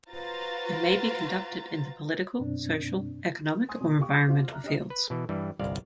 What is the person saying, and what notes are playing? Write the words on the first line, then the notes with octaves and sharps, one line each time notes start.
It may be conducted in the political, social, economic or environmental fields.
F4 F#4 B4 C5 A#5 A6
F#2 B2 C4 D4
G#5 C6 D#6
B2
F4 G4 F5 C#6 D6
C4 F4 F#4 F5
E5 A#5 F6 F#6
D4 G4 D#5
B4
B2 E3
G2 E3 G3
G1 C2 D5 F5